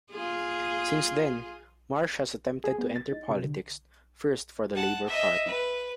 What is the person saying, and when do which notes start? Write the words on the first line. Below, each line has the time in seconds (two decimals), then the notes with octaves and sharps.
Since then, Marsh has attempted to enter politics, first for the Labour Party.
0.11 F4 G#4
2.64 G#4
2.78 B3
2.96 A6
3.12 D#4
3.28 C3
3.43 D3
4.75 F#5 A5
5.07 D#5 E5
5.46 B4